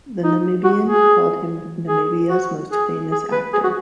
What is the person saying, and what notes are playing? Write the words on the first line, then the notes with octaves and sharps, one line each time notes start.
"The Namibian" called him "Namibia's most famous actor".
D#4
F#4
G#4
G#4
F#4
G#4
G#4
B4
G#4
F#4